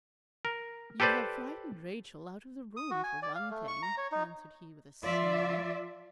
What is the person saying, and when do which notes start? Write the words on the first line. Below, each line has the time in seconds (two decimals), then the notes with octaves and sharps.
'You have frightened Rachel out of the room, for one thing,' answered he with a sneer.
0.45 A#4
1.00 G4 A4 B4 C5 D5
2.77 D#6
2.91 F#4
3.04 G#5
3.22 D5
3.35 F5
3.50 A3
3.67 C#6
3.83 A#5
3.98 C#5
4.12 D#4
5.03 F3 F4 D5 E5